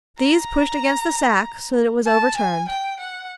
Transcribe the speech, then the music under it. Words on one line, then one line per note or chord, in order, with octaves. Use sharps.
These pushed against the sack so that it was overturned.
A#5
A5
G#5
G5
F#5